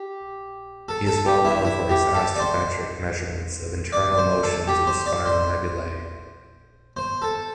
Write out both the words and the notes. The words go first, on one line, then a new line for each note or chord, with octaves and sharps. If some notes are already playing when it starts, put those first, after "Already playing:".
He is well known for his astrometric measurements of internal motions in spiral nebulae.
Already playing: G4
A4
A4
G4
E4
E4
G4
A4
D5
C5
D5
C5
A4
G4
C5
D5
C5
C5
A4